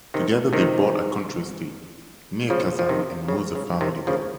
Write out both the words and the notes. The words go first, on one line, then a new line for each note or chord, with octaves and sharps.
Together they bought a country estate near Kazan and moved the family there.
C3 D#3
C3 D#3
C#3 F3
F3
C3 D#3
C#3
C#3
C3 D#3
C#3 F3